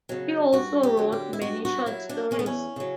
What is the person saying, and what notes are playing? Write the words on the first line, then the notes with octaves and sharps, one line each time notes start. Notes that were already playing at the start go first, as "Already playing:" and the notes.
He also wrote many short stories.
C#3 F#3
G2 F#4
G4
D3 F#3
G4
E4
G2 F#4
F#4
F#3 E4
D4
E2 C#4
B3
C#4
C#3 F#3